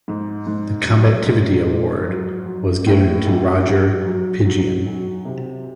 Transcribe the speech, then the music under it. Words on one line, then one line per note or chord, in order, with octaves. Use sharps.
The combativity award was given to Roger Pingeon.
G#2
G#2
F#3
G#2
G#2
F#3
F#3
A2
B1
F#3
F#3
F#3
B1
C3